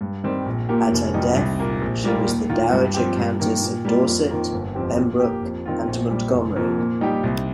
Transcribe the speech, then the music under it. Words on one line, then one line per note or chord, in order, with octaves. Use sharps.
At her death she was the Dowager Countess of Dorset, Pembroke, and Montgomery.
G2
D#3 G3 C4
A#1
A#2 A#3 G4
F1
F2 D#3 G3 D#4
C2
A#2 A#3
A#1
A#2 G3 A#3 F4
D#2
D#3 A#3 F4
G2
F3 C4 G4
G2
D#3 A#3
A#2
G3 A#3 F4
F2
D#3 A#3 F4
G1
F2 F3 C4 G4
A#2
A#3 G4
F2
D#3 C4 F4
A#1
A#2 G3
F1
F2 F3 A#3
A#2
G3 D#4 G4
C2